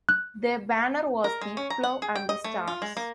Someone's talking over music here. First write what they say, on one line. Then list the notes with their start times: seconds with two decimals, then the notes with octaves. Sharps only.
Their banner was the "Plough and the Stars".
0.09 F#6
1.24 A#4
1.41 G#3
1.57 C#4
1.70 A#5
1.84 F#5
2.02 G#4
2.16 G5
2.29 D#5
2.44 A3
2.68 F4
2.82 G#3
2.97 A#3